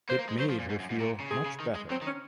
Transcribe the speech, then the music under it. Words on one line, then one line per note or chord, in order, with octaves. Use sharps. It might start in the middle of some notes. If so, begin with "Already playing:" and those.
It made her feel much better.
A#3 C5
A#3
G#3
F#3 C5
F3
A#2
G#2
F#2
G#2
A#2
C#3
C3 G#4
C#3
D#3
G#3
F#3 C4
D#3
C#4